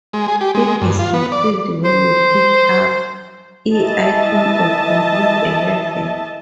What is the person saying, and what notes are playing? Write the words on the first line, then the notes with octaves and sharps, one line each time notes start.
It is refilled when you pick up "E" icons or complete a level.
G#3
G#4
G4
G#3
G2
F4
B3
D5
C5
E3 D#5 E5 A5